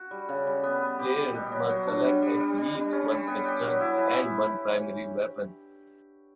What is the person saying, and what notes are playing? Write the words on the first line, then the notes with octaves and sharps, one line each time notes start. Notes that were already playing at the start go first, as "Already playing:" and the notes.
Players must select at least one pistol, and one primary weapon.
Already playing: F#4
G3
C#3
G3
B3
B3
G4
G3
B2
F#3
F#3
D4
G3
G3
G3
G3
G3
C#4
G3
B3
G4
F#3
E4
E3